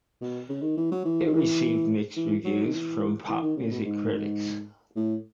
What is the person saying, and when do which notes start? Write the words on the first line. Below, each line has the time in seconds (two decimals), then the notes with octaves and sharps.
It received mixed reviews from pop music critics.
0.21 B2
0.49 C#3
0.62 D#3
0.77 E3
0.91 F#3
1.05 E3
1.25 D#3
1.33 E3
2.16 E3
2.45 F#3
2.64 D#3
2.73 E3
3.28 E3
3.42 D#3
3.56 C#3
3.71 B2
3.85 G#2
4.96 A2